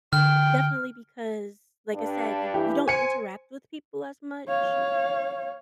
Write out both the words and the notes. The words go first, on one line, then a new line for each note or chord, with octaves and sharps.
definitely because like I said, you you don't interact with people as much.
D3 G5 F6
G2 D4
E3 G4
C5 G#5 C#7
C#5 F5